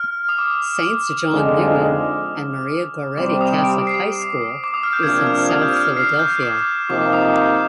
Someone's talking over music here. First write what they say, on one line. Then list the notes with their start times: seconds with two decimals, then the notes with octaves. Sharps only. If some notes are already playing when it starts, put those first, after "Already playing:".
Saints John Neumann and Maria Goretti Catholic High School is in South Philadelphia.
Already playing: F6
0.29 D#6
0.39 D6
1.31 F2 D3 F3 G#3 D#4
3.17 C3 G3 C4 D6
3.41 D#6
3.64 D7
3.87 C7
4.64 D6
4.74 D#6
4.83 F6
4.93 G6
5.03 C3 F3 A#3 D4 G#6
5.27 F6
5.49 D#6
5.63 G6
5.73 F6
5.97 C7
6.19 G6
6.43 D6
6.89 C3 F3 A#3 D#4 D6
7.13 D#6
7.36 G6